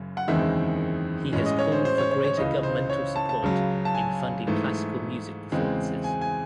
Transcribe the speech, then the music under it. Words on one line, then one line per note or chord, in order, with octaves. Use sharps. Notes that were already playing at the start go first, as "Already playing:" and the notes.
He has called for greater governmental support in funding classical music performances.
Already playing: F#1 F#2 C#3
F#5
F#1 E2 D#3 G#3 C4 E5
A1 A2 G#3 C#4
D#5
C#5
C5
C5
C#5
C#5
C#5
C#2 C#3 E3 D#5
C5
C#5
A5
A5
C#2 C#3 F#3
A5
G#5
G#2 E3 A3
E2 C#3 E3 G#3 C4
G#5
G#5